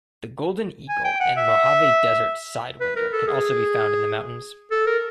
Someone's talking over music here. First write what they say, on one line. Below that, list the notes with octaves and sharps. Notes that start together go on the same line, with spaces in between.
The golden eagle and Mojave Desert sidewinder can also be found in the mountains.
G#5
G5
F#5
E5
B4
A#4
A4
G#4
A4
A#4